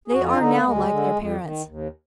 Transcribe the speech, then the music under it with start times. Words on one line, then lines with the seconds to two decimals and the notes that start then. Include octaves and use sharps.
They are now like their parents.
0.08 G#4
0.11 F2 F#4
0.25 F4
0.32 D4
0.38 D3 D#4
0.51 A#3
0.64 D2 G#3
0.89 D3
1.15 F2
1.42 D#3
1.67 D#2